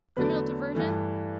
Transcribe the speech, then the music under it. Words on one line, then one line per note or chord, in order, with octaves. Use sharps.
Criminal diversion?
E2 D3 F#3 A3 B4
G2 E3 A3